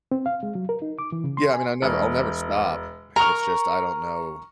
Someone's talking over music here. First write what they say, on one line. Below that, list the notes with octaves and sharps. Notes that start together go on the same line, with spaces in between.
Yeah, I mean, I never I'll never stop. It's just I don't know.
C4
F5
G#3
F#3
A#4
D#4
D6
E3
C#3
C6
G#5
E1
A#4 A#5 C#6 F6